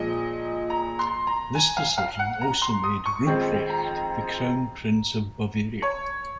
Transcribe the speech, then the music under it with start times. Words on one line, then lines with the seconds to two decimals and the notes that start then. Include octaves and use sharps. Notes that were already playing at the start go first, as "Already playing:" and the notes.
This decision also made Rupprecht the crown prince of Bavaria.
Already playing: A#2 F3 G#3 D#5
0.70 A#5
0.99 C6
1.27 A#5
1.55 G#5
1.77 F5
1.98 F5
2.19 F#5
2.41 A#5
2.62 C6
2.84 D#6
3.06 C#6
3.26 F2 D#3 G#3 C4
3.70 A#5
5.82 C#5